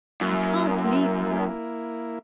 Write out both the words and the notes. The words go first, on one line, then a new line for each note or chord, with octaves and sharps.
'I can't leave her.
F#2 A#3 E4